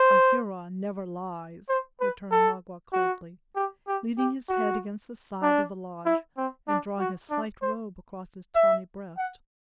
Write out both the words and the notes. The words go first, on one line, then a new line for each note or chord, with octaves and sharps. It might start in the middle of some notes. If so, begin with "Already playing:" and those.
"A Huron never lies!" returned Magua, coldly, leaning his head against the side of the lodge, and drawing his slight robe across his tawny breast.
Already playing: C5
C5
B4
A4
F#4
G4
G4
G4
F#4
D4
E4
C4
D4
F#4
D4
C5
E5
F#5